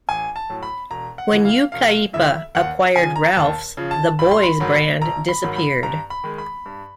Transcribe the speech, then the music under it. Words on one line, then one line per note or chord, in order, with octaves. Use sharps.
When Yucaipa acquired Ralphs, the Boys brand disappeared.
A1 G#5
A5
A2 F#3
B5
E1 A#5
F#5
D2 C#3 E3
F5
E1 F5
D2 C#3 E3 E5
D#2 F#5
C#3 F3 G#5
A#5
D#2 A5
C#3 F3
A5
A#1 B5
C6
B5
G#2 D#3 F#3
A#1 A#5
B5
G#2 D#3 F#3
B5
G2 A#5
B5
D#3 G#3
B5
G2